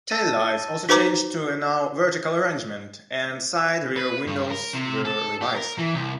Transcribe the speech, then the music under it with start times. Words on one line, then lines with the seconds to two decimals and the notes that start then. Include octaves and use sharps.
Taillights also changed to a now vertical arrangement and side rear windows were revised.
0.10 A5 E6 A6 A#6 D#7
0.89 D#4 F#4 B4 C5 A#5 D6
3.96 B4
4.27 G2
4.50 A#4
4.74 C3
5.05 A4
5.41 G4
5.56 A#4
5.79 E3
5.94 C2